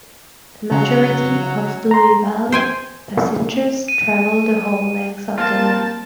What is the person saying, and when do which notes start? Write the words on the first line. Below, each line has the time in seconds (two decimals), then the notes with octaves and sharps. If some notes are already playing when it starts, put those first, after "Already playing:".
The majority of Looe Valley passengers travel the whole length of the line.
0.71 C#3 F#3
1.91 A#5 C6
2.52 C5 G5 G#5
3.88 D#7
5.38 A#3 C4 F4 A5